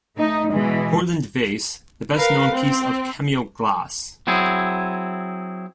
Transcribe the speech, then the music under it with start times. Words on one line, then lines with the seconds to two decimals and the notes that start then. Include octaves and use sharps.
Portland Vase, the best known piece of cameo glass.
0.17 A3 D#4
0.52 B2 E3 G#3
2.16 A#4 B4 F5
2.53 C4
4.27 F#3 C4 E4 G#4